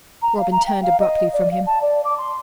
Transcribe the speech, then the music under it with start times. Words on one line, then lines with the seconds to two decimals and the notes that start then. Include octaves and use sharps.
Robin turned abruptly from him.
0.22 A#5
0.38 F5
0.52 A#5
0.67 G5
0.82 F5
0.99 D#5
1.33 D5
1.51 F5
1.66 A5
1.82 D5
2.05 D6
2.18 C6